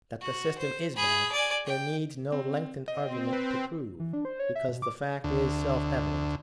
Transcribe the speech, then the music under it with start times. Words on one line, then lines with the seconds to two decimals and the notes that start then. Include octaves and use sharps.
That the system is bad, there needs no lengthened argument to prove, because the fact is self-evident.
0.21 F#4
0.58 C5
0.96 G#4 B5
1.32 D5 G#5
1.66 G5
2.32 C4
2.88 C4 D#5
3.33 B4
3.99 E3
4.13 D4
4.25 C5
4.39 C#5
4.55 E5
4.69 B2
4.82 D6
5.24 D2